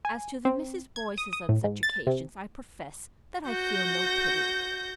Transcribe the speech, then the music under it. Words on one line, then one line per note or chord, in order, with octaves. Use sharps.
As to the Mrs. Boyces on such occasions, I profess that I feel no pity.
G#5
C4
G#6
D#6
D#6
A2
G#2
A6
C3
F#4 G6 A#6